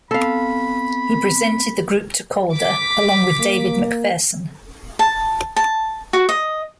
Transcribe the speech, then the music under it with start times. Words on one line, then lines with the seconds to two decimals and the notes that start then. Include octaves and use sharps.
He presented the group to Calder along with David McPherson.
0.11 B3 C4 A4 F5 B5
2.54 D6 B6
3.40 A#3
4.99 A5
5.56 A5
6.13 F#4
6.29 D#5